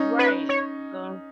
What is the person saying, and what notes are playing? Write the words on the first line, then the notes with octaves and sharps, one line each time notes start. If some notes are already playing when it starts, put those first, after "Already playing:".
Right, so
Already playing: C#4 D#4
B4
C#5